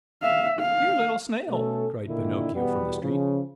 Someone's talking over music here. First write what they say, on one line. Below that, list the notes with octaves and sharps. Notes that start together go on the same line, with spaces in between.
"Dear little Snail," cried Pinocchio from the street.
E5 F5
F5
B2 A3 C#4 A4
A#2 D3 D#3 D4 E4
E2 B2 G3 B3
C#3 F3